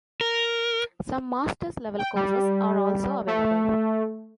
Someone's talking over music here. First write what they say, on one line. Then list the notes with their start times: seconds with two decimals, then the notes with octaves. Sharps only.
Some Masters Level courses are also available.
0.21 A#4
1.98 G5
2.15 G3
3.27 A3